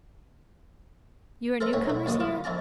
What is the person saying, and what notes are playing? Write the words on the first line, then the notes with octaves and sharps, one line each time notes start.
You are new-comers here?
A4 A#4 C5 E5 A#5
B1 A3 B3 C#5 G5
E4
D2 G3 A#3 D#6
F4
F2 E4 D5 A5 A#5 D6